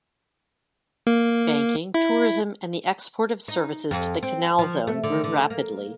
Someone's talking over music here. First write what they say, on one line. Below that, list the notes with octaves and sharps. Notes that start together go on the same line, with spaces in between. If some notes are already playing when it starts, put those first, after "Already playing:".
Banking, tourism, and the export of services to the Canal Zone grew rapidly.
A#3
E4
D#4
F2
C4
F3
A3
D3
D3
A#3